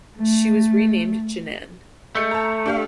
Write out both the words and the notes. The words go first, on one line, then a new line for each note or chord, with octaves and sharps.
She was renamed "Jinan".
A3
G#3 A3 G6 C#7
A5 A#5
D4 G4 F5